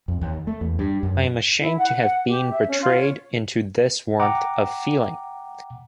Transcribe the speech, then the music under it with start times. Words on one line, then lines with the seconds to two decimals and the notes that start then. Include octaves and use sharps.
I am ashamed to have been betrayed into this warmth of feeling.
0.08 F2
0.21 D#2
0.47 A3
0.61 E2
0.79 G2
1.03 F#2
1.59 E4
1.78 F#5
1.98 F#5
2.26 G4
2.50 E5
2.67 C#4
2.82 F4
2.96 C#5
4.20 F#5 G5 A#5 D6